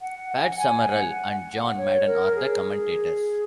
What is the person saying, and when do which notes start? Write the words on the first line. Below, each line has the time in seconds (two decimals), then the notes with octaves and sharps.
Pat Summerall and John Madden are the commentators.
0.01 F#5
0.30 F#5
0.40 G#5
0.49 F#5
0.59 G#5
0.89 F#5
1.33 F#5
1.77 C#5
2.07 A#4
2.36 G#4